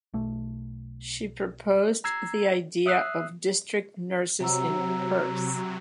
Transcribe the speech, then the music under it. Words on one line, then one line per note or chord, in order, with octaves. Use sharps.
She proposed the idea of district nurses in Perth.
B1 A3
A#5 E6 G#6 C7
E5 D#6 E6 F#6 C7
C3 F#3 F#4 A#5 E6